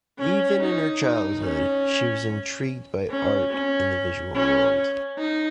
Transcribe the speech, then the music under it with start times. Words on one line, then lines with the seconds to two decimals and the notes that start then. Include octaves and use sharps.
Even in her childhood, she was intrigued by art and the visual world.
0.19 C#4
0.60 D#4
1.02 D#4
1.43 C#4
3.10 C#4
3.51 C#4
4.35 C#4
5.18 D#4